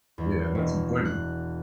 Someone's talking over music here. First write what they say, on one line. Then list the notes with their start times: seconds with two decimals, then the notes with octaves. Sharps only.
Yeah, that's important.
0.18 E2
0.55 E1
1.05 F#6